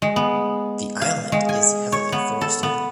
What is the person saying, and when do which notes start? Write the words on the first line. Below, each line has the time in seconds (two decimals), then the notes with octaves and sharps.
The island is heavily forested.
0.02 G#3
0.16 B3
1.02 F5
1.32 G#3
1.49 G#5
1.92 C#5
2.12 B3
2.41 A4
2.63 B3